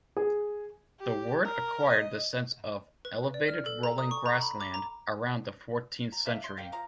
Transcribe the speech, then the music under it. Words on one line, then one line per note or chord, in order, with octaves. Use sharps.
The word acquired the sense of 'elevated rolling grassland' around the fourteenth century.
G#4
G4
A#4
D#5
B4
D5
F6
A4
A#5
D#6
C#6
A#5
B5
D6
A#5
A#5
D#3 D4 E5 F5
C6
A#3 F5 G5
F3 F5 A#5